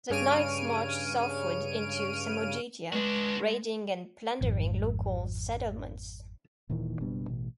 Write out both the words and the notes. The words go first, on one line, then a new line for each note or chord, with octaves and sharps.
The knights marched southward into Samogitia, raiding and plundering local settlements.
G2 C#3 C#5 F6 D7 D#7
G#3 D4 F#4 B4
G#1 F2 G#2
D#1 A#2 D#3 E3
F#1 B2 G3 D4
A1 B2